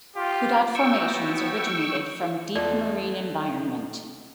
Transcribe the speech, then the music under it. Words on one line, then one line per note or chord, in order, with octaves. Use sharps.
Kudat formation is originated from deep marine environment.
F4 G4
B3 F#4 G5 C#6 E6
E2 F4 A4 D5 D#5